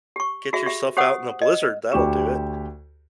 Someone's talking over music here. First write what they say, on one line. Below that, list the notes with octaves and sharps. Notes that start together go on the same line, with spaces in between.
Get yourself out in a blizzard, that'll do it.
G4 C#6
F#4 G#4 E5
G4 E5
G4 C5 F#5 D#6
D#5
D2 G4 D5 C#6 E7